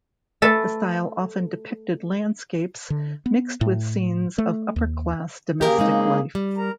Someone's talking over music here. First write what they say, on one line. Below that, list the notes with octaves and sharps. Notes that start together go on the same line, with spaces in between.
The style often depicted landscapes mixed with scenes of upper-class domestic life.
A3 A4 B4 A5
D3
B3
A2
A3
D#2
C#3 A#3 G4 G#4 A#4
G#3 C4 D#4
G3
A#4 A#5